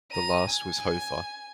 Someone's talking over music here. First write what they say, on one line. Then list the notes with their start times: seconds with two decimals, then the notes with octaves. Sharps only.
The last was Hofer.
0.12 A#5 D#7
0.48 G#5